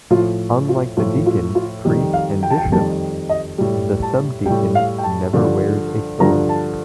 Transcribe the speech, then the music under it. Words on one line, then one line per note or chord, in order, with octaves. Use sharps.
Unlike the deacon, priest, and bishop, the subdeacon never wears a stole.
A2 F3 F4
F4
A2 F3 F4
F4
F4
F2 D#3 G3
F5
G5
A5
G5
F2 D#3 G3 A5
D#5
A2 G3
A5
A2 G3 G5
F5
G5
A5
G2 D3 F3
G2 D3 F3 A#5
A5